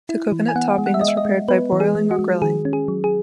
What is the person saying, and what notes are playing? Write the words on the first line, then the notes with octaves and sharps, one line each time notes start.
The coconut topping is prepared by broiling or grilling.
E4
E3
G#5
B3 F#5
G#3
F#5
E5
G#3 D#5
E5
D#5
G#3
B3 B4
E3
G#4
G#3
F#4
G#3
D#3 G#4
C#4
G#4
F#3
G#4